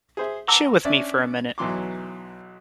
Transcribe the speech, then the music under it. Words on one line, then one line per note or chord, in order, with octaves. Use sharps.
Chill with me for a minute.
G#4 C5 E5
F#5 A5 A#5 D6 E6
C#4 D4 D5 E5
B1 E3 F#3 C6 D6